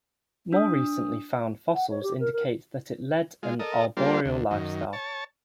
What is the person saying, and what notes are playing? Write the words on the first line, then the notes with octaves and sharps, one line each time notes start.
More recently found fossils indicate that it led an arboreal lifestyle.
D4 D#6
F#5
C#5
G4
A#4
A#4
G#3 F4
A4 A#4 D#5
G3 A#3 D4 F4 C5
D2
F#2 D#3
C#5 A5